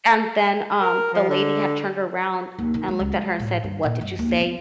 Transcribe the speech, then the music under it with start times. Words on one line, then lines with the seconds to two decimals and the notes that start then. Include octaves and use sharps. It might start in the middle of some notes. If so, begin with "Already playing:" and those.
and then, um, the lady had turned around, and looked at her and said, "What did you say?"
0.82 A#4
1.13 F3
1.28 D3
2.59 D#2
2.74 D#3
2.88 G#3
3.00 C#2
3.13 G#3
3.39 A2
3.64 G2
3.83 A#2
4.01 G2
4.19 D#2
4.40 B3